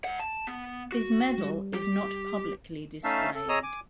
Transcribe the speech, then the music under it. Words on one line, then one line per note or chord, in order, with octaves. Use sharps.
His medal is not publicly displayed.
G2 F#5
A5
B3
F#4
G3
G4
A3 C#4 D#4 E5 F5 A5
A4
G#4 C#5 D#5 A#5 D#6 E6
G#5 D6